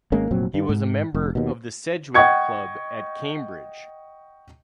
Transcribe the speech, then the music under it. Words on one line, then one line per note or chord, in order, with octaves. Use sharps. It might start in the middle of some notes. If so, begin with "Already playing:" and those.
He was a member of the Sedgwick Club at Cambridge.
G#1 G#3 A#3 C#4
F1 A#2 F#3 C4
G2
G#2
F1
D#2 B2
D#5 F#5 G5 C#6 G#6 C#7